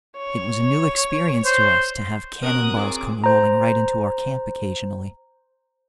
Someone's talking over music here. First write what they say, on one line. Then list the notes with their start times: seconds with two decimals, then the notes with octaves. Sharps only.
It was a new experience to us, to have cannonballs come rolling right into our camp occasionally.
0.17 C#5
1.45 C5
2.42 C4 F#4 A#4 D#6 F#6
2.76 A#2 C4 G#4 D6
3.24 C5 A#5